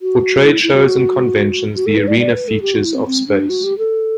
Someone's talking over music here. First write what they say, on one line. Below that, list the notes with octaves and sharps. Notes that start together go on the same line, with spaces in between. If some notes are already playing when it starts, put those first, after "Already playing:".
For trade shows and conventions the arena features of space.
F#4
E4
E4
F#4
F#4
A4
B4
D5
D5
B4
A4
G4
F#4
E4
C4
C4
D4
F#4
G4
A4